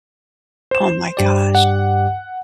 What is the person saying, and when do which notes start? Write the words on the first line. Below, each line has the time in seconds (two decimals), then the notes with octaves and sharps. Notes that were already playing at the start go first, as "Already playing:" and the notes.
Oh my gosh.
0.71 C5 E7
1.17 G2 G4 D5
1.55 F#5